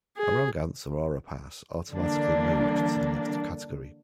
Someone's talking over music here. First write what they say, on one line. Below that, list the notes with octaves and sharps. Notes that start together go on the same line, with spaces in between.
A wrong answer or a pass automatically moved to the next category.
G#4
D3 E3 G3 A#3 D4